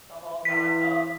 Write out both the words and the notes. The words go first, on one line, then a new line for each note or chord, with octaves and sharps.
the whole thought of,
E3 B6